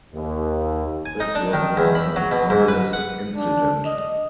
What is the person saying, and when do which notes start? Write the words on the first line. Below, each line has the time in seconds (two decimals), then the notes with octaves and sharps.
This was not some harmless incident.
0.14 D#2
1.06 G#5
1.20 D#4
1.35 D4
1.53 D#3
1.77 E2
1.95 B5
2.16 F#3
2.31 B2
2.50 G#2
2.68 B4
2.93 F#5
3.36 D4
3.86 D#5